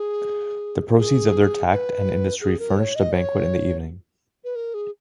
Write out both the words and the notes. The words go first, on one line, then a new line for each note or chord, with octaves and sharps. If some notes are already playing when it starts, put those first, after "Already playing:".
The proceeds of their tact and industry furnished a banquet in the evening.
Already playing: G#4
G#4
B4
G#4
A#4
C#5
D#5
C#5
B4
A#4
G#4